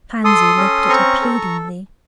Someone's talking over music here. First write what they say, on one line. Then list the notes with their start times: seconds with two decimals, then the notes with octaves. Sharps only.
Pansy looked at her pleadingly.
0.24 A4 C6 D#6
0.57 C#4
0.89 C4 A#5 C#6
1.22 A4